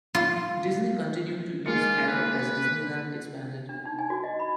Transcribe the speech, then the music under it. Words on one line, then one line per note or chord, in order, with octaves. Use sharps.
Disney continued to use Arrow as Disneyland expanded.
F4
G#3 A#3 F4 C#7
B4
D4
D#4
G#5
F#4
D#5
B5